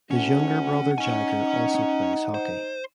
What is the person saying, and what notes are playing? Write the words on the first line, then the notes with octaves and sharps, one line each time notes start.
His younger brother Jagger also plays hockey.
D2 C#4 F#5
C#4 D#4 G#5
C#4
C5